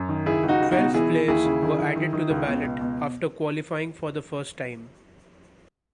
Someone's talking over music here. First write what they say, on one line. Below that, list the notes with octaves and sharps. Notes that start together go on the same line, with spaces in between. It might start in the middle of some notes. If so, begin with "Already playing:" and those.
Twelve players were added to the ballot after qualifying for the first time.
Already playing: F#2
D#3
C#2 E4 G#4
C#2
D#4 F#4
C#2
D#4 F#4
B2
E3 E4 G#4
E3
D#2 E4 G#4
C#3
D#3
D#3
D#3
D#3
C#2
B2
C#2
B2